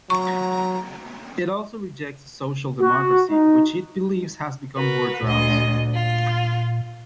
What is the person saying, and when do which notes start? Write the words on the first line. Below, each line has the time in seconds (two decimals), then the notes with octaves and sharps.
It also rejects social democracy, which it believes has become bourgeois.
0.10 F#3 A#5 C#6
2.81 F#4
3.30 D#4
4.76 F#4 A#4 B4
5.23 D2 A#2 D#5
5.93 F4